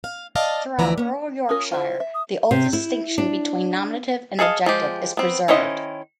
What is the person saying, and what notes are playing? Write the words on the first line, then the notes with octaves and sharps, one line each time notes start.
Throughout rural Yorkshire, the old distinction between nominative and objective is preserved.
F5
D5 D#5 F5 A5
D2 E3 F3 D5 E5 A#5
A#3 C#4
C#4 F4 A#4 D#6
E4 F4 C5
E5
D#6
C3
E4
D4
G#4 A4 D#5 F5
F3 G#3 G4
B3 C4
D#3 C#4 E4 C5 D#5